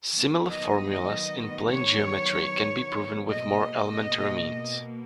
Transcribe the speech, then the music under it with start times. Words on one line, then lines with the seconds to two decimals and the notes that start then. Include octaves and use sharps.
Similar formulas in plane geometry can be proven with more elementary means.
0.11 D#3 F#3 B3
0.51 D#5
1.71 C#5
3.30 B2 A#3 D#5